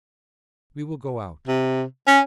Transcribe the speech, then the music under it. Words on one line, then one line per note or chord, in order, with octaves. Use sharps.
We will go out.
C3
C#4